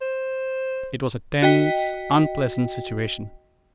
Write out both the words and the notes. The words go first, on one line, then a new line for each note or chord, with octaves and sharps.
It was a tense, unpleasant situation.
C5
F#4 D#5 G5 B6